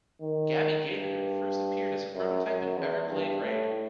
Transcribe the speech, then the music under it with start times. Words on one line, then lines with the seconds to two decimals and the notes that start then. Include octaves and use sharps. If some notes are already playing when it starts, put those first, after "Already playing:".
Gabby Gator first appeared as a prototype in "Everglade Raid".
0.22 D#3
0.87 G2
2.14 F#2
2.45 F#2
2.77 E2
3.10 G2
3.42 A2